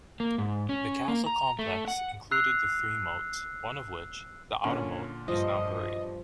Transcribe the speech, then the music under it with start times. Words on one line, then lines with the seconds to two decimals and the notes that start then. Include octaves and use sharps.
The castle complex included three moats, one of which-the outer moat-is now buried.
0.20 A#3
0.38 G#2
0.69 C#4
1.08 A#3
1.26 A#5
1.59 A3
1.88 F#5
2.31 E6 F#6 C7 F7
4.64 A#2 D3 C#4
5.28 G2 F3 D#5